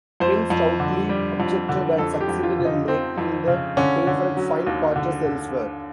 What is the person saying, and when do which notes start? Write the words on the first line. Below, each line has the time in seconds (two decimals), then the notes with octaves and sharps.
Ken stoutly objected and succeeded in making the favourite find quarters elsewhere.
0.20 F2 C5
0.50 F2
0.80 D3
1.09 G3
1.40 F2
1.69 D3
1.98 F2 A4
2.21 G4
2.28 F2
2.43 F4
2.59 C#3
2.65 D#4
2.88 F3 C4
3.18 F2
3.48 C#3
3.77 D3 C#4
4.07 D3
4.37 F#3
4.67 D#2
4.96 D3
5.25 D3